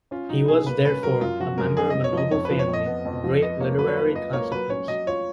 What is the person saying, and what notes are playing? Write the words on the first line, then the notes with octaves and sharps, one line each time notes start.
He was, therefore, a member of a noble family of great literary consequence.
C#4 F4
F#3 D#4
B2 G#4
A#3 B4
C#4 B4
F#3 A#4
F#2 F4
F3 F#4
F#2 A#4
B3 G#4
F#2 D#5
C#5
F3 D#5
F2 C#5
B4
F3
C#5
F2
D#5
B3
F2
F3
B4 D#5
A#3 C#5
F#3 B4
C#5
F4 B4
B4 D#5
A#3 C#5
F#3 B4
C#4 C#5
F#3 D#5
F4 C#5